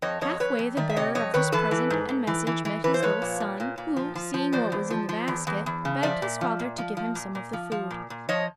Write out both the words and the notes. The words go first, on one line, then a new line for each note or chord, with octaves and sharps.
Half-way the bearer of this present and message met his little son, who, seeing what was in the basket, begged his father to give him some of the food.
F2 C#5 D#5
F2 C#5 D#5
F2 B4 C#5
F2
D#3 D5 E5
E5
C3 C#5 D#5
F2 C#5 D#5
D#3 B4 C#5
E3 A4 B4
E3
G#2
G#2
E3
E3
E3
E3 B4
C5
F3 B4 C#5
A#2
A#2
A#2
A#2
F3
F3
F3
E2 C5 D5
E2
F3
F3
E2
E2
E2
C#3
F3 D5 E5
A#2
F3
A#2
F3
F3
A#2
A#2
F3
F3
A#2
A#2
F3 C#5 D#5